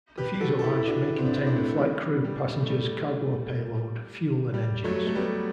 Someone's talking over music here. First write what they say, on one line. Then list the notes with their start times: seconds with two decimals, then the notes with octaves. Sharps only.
The fuselage may contain the flight crew, passengers, cargo or payload, fuel and engines.
0.18 G4 B4
0.34 B4
0.41 F#4 A4
0.59 A4
0.64 E4 G4
0.87 D4 F#4
1.18 C4
1.26 D4
1.33 C4 E4
1.47 D4
1.56 A3 C4
1.72 C4
1.79 G3 B3
2.24 G3
2.63 A3
2.70 G3
4.54 G3
4.84 F#3 A3
5.07 A3
5.15 G3 B3